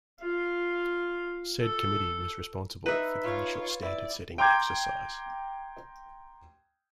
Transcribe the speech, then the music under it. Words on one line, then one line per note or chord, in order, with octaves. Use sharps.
Said committee was responsible for the initial standard setting exercise.
F4 F5
A4
D#4 B4 E5 D#6
F4 C#5
E4 D5
G5 A#5 C6 D6 G6 G#6